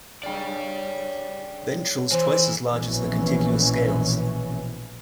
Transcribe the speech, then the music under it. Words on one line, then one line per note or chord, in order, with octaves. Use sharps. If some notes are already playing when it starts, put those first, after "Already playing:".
Ventrals twice as large as the contiguous scales.
G2 C#3 D5 G5
E3 C5
A#1 B2 E3 C#4